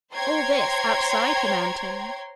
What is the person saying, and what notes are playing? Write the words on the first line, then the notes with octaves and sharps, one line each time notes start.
All this outside the mountain!
C5 C#5 G5 A#5 C6 G#6